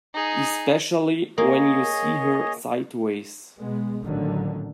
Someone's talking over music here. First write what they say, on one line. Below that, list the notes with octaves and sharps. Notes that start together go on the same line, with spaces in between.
Especially when you see her sideways.
D#4 G#4
A#3 G#4 C#5 D#5
B2 G#3 B3
A1 A#2 D3 D#3 F#3